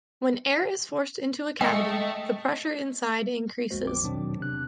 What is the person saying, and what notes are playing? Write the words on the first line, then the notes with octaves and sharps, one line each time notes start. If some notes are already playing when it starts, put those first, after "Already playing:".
When air is forced into a cavity, the pressure inside increases.
G#3 A3 D#5 G5 C#7
A#1 F2 G#3 A#3 F#4 C5
A#1 C4 D6
E2 B2 D#3 F#3 C4 D4
C3 F#6